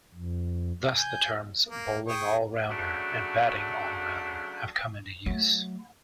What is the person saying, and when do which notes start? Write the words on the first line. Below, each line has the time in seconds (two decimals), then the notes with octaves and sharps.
Thus the terms "bowling all-rounder" and "batting all-rounder" have come into use.
0.15 F2
0.96 G#5 G6
1.70 A#3
2.08 G#4 G5 C#6
2.69 C#3 F#3 A3 D4 F#4
5.26 F#3 A3